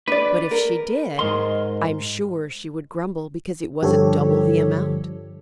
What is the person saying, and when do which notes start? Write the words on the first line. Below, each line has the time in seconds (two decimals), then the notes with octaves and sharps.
But if she did, I'm sure she would grumble because it wasn't double the amount.
0.08 D4 B4 D5
0.51 A#4
1.19 G#2 A#4 D#5 C6
3.83 G2 D3 F3 G4 A4 C#5